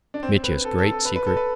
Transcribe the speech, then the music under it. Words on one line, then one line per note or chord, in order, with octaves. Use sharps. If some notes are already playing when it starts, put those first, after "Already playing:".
Mitya's Great Secret.
D4
C4
B4
A4
A4
A4
B4
B4
A4
B4